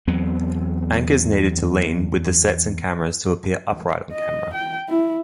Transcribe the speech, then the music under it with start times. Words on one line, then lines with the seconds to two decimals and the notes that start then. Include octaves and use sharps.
Anchors needed to lean with the sets and cameras to appear upright on camera.
0.07 E2 F#3 B3 C4
4.13 D#5
4.54 G5
4.89 E4